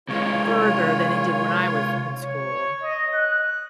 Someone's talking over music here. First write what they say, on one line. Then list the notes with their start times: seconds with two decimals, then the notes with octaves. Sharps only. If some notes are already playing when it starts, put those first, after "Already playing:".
further than they did when I was in school.
0.09 C3 G#3 F4 C#5
2.23 C#5
2.83 D#5
3.15 F#6